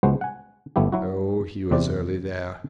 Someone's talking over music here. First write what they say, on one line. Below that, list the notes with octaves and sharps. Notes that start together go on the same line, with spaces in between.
Oh, he was early there.
C#2 G#3 B3 F#4 C5
F#5 G#5
G1 A3 B3 E4 G4
F#3 E4 F#4
E2 C3 C4 D5